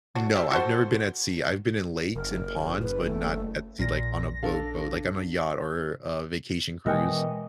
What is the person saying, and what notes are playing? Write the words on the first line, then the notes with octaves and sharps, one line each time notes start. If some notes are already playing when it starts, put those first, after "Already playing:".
no. I've never been at sea. I've been in lakes and ponds, but not at sea, like, on a boat boat, like, on a yacht or a vacation cruise.
D4 F#4
G4 E5 F5
F#4 A4 C5
F#1 A#4
B4
A3
A#1 A#2 A#6
D4 A4 F5
B2 E3 G#3 A#4 D#5 E5 G5 G#5